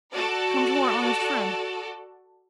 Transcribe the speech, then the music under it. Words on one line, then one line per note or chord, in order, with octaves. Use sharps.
Come to our honest friend.'
F#4 A4 D5